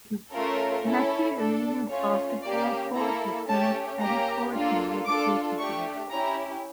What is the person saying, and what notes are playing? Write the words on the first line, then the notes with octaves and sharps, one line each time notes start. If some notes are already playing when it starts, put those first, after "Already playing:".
Mackey Arena's basketball court was named "Keady Court" in dedication to him.
A3 C#4 F4 A4 A#4
C#4 E4 A4
D4 A4
A3 C#4 F4 C#5
A#3 C#4 G4 D5
A#3 E4 A4 A#5
A3 C#4 G4 A5
A#3 C#4 G4 A#5
A#3 D4 F4 A4
D4 F4 A4 D6
A3 D4 G4 C#6
C#4 E4 G4 A#5